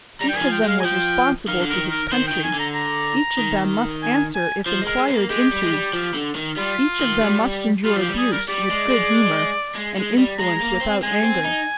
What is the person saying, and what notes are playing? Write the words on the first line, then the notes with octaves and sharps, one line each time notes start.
Each of them was responsible to his country, each of them must answer if inquired into, each of them must endure abuse with good humour, and insolence without anger.
G3 A#5
G5
D#3 G#5
F3
G5
G#3 F5
G#5
F3 G5
D#3 F5
D3
D#3 A#4
A#4
A#4
D#3 C5
D#3 G5
G#5
D3
A#5
A#5
D#3
G#5
G#5
F3 C5
G#3 A#4
G#3
C4
A#3
G#3 G4
G3
G#3
G3
F3
D3
D#3
G3 F4
D#3
G3
G3 F4
F3 G4
G3
G#4
A#4
G3 D5
G#3
G#3
G#3
G#3
G3
G#3 A#5
A#3
C4
G#3 G#5
C4
D#4